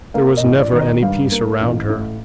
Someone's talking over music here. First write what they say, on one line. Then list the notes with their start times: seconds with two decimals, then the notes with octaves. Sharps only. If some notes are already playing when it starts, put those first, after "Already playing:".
There was never any peace around her.
0.14 A#3 F5
0.37 D#5
0.44 A1
0.59 D5
0.73 D#3
0.81 D#5
1.02 G2 F5
1.32 A#3
1.61 A1
1.90 A2